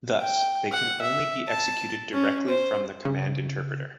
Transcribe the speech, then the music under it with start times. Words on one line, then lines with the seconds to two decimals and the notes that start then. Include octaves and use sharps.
Thus, they can only be executed directly from the command interpreter.
0.20 G5
0.72 F#5
1.02 E5
1.48 A5
2.13 C#4
2.49 C5
3.05 C#3